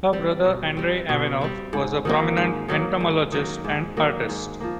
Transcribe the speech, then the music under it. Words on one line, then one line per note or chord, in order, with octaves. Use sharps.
Her brother Andrey Avinoff was a prominent entomologist and artist.
G3 C4
B2
G3 C4
B2
G3 C4
G#2
D#3 F#3 A#3
G#2
D#3 F#3 A#3
G#2
D#3 F#3 A#3
G#2
D#3 F#3 A#3
G#2
F3 A#3